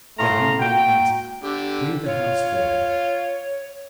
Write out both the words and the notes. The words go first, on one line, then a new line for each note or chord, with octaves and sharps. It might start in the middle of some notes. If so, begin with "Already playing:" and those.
That he may enter, clear the house for him.
A2 A3 F5 A#5 C6
A#3 F#4 G5
D3 G4
F4 C#5